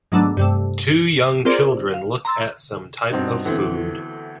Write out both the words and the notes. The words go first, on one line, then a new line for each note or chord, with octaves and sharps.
Two young children look at some type of food.
G#2 D#3 F#3 A3 B3 D4
G2 C3 A3
C4 F4 G#4 A#4 C5 D5
F5
A#5 C6 E6 A6
G2 B2 C4 D#4
D2 E3 A3 B3 C4